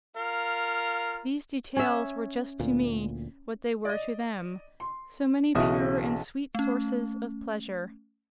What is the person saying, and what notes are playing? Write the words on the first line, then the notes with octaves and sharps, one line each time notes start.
These details were just to me what they were to them--so many pure and sweet sources of pleasure.
F4 A#4 F5
C#4 E5
D2 A#2
D5 D#5
C6
B1 C#3 E3 F#4 E5 D#6
A3 C#4